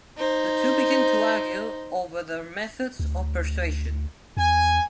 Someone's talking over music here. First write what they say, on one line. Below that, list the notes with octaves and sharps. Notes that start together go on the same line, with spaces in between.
The two begin to argue over their methods of persuasion.
D#4 C5
D2
E2 G#5